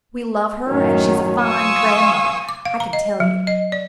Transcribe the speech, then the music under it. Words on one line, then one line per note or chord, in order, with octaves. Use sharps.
We love her, and she's a fine grandmother, I can tell you.
F#2 A2 D#3 F#3 C#4
F5 G#5 C6 C#6 D#6 E6
D6
F5
A#5
D#5
F#3
D#5
D5